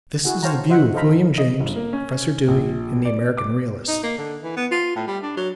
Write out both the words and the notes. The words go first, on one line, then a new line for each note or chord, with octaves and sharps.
This is the view of William James, Professor Dewey, and the American realists.
E4 F#4 G#4 F#5
C5 C#5 F5 G5 A5 A#5
F#4 C5 D#5 E5 F#5
A4 C5 D#5 F5 A#5 B5
D#5
G1
A#3
C#4
A#1
D5
D6
D#4
A#3
D3
E3
B3
F4
A2
G3
D4
F#3